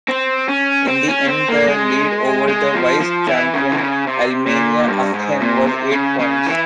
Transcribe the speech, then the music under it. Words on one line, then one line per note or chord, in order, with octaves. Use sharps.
In the end the lead over the Vice Champion Alemannia Aachen was eight points.
C4
C#4
C4
C#4
C4
A#3
G#3
G#3
F3
F3
E3
C#3
E3
C#3
C3
A#2
G2
G#2
A#2
C3
C#3
C#3
E3